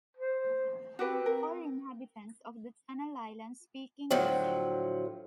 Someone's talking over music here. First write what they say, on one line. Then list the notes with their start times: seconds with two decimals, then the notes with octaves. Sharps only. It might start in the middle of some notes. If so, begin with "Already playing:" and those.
All inhabitants of the Channel Islands speak English.
0.17 C5
0.99 C4 F#4 G4 B4
1.26 A#4
4.10 A2 D3 F3 F#3